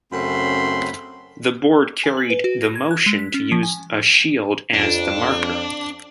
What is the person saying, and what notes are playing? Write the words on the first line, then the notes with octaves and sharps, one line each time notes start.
The board carried the motion to use a shield as the marker.
F#2 C#3 A3 C4 B5 C6
G#5
F#7
B4
F#4
A#6
G#6
F#6
G#3
B6
C#4
F3
G#5
F2 D4